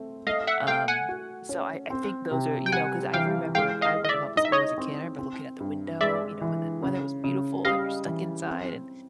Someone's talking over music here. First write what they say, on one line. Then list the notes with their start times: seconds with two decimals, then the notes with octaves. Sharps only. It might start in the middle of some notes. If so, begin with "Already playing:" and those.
Um, so I I think those are you know? 'Cause I remember, b I went to public school as a kid. I remember, looking at the window, you know? And the weather was beautiful, and you're stuck inside, and
Already playing: A3 C4
0.27 A3 D#5 F5
0.47 E5 F#5
0.67 A3 F5 G5
0.88 F#5 G#5
1.09 F#4
1.49 C#4
1.90 C4
2.31 C3
2.66 G5
2.72 G3 F#5 G#5
3.14 E3 F5 G5
3.55 G#3 F5 G5
3.82 D#5 F5
3.95 G#3
4.05 D#5
4.09 D5 E5
4.37 D#4 D#5
4.45 E5
4.52 C#5 D#5
4.78 C4
5.19 C4
5.60 G2
6.01 G#3 D5 E5
6.41 E3
6.83 C#3
7.24 C#3
7.65 G3 D#5 F5
8.06 E3
8.47 C4